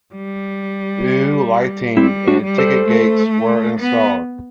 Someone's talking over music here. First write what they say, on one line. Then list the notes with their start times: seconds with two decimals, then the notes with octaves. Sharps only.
New lighting and ticket gates were installed.
0.14 G3
1.97 G3 C4 E4
2.28 D4 F#4
2.44 G3
2.58 A4 C5
2.88 A3
3.80 B3